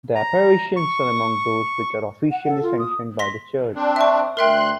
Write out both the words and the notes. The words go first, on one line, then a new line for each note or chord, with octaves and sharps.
The apparitions are among those which are officially sanctioned by the Church.
A#5
C#6
F#5
A4
F4
D#6
C6 A#6 B6
C4 D4
E5 C#6
D2 A#4 E5 G5 C6 F#6